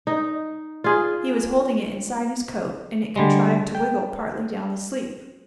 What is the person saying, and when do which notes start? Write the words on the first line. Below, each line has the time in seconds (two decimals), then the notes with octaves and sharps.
He was holding it inside his coat, and it contrived to wiggle partly down the sleeve.
0.07 D#4
0.84 F4 G#4
3.16 D3 G3 G#3
3.75 G5